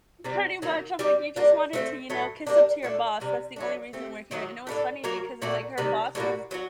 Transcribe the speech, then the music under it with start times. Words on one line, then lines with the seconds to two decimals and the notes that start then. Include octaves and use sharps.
Pretty much, I'm like, "You just wanted to, you know, kiss up to your boss, that's the only reason we're here," and it was funny because it's, like, her boss was
0.24 C3 G3 C4
0.62 D#3 F#3 A#3
0.99 G3 C4 G4
1.36 G3 A#3 D4
1.73 A3 C4 F#4 C5
2.10 A2 F#3 A3
2.47 G3 A#3 D4
2.83 A#2 A3 D4 A4
3.20 C3 G3 D4
3.56 F#3 A3 D4
3.93 A3 C4 G4
4.31 D#3 F#3 A#3 F#4
4.67 A2 A3 D4 A4
5.04 F#3 A#3 F#4 A#4
5.42 A#2 A3 D4 F#4
5.78 C3 D#3 G3
6.15 A2 G3 A#3 F#4
6.51 F#3 C4 F#4